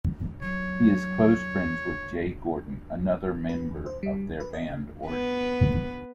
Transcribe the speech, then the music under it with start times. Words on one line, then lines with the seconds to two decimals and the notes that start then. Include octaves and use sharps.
He is close friends with Jay Gordon, another member of their band Orgy.
0.42 F#3 C#5
3.49 B4
3.71 E2
3.86 C5
4.03 G3
4.27 C#2
4.40 B4
4.53 D#5
4.70 C#3
5.07 B3 B4